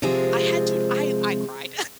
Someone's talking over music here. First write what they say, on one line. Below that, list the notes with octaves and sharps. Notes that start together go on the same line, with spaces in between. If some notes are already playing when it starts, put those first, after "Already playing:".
I had to I I cried.
C3 F3 G#3 C4 F4 G#4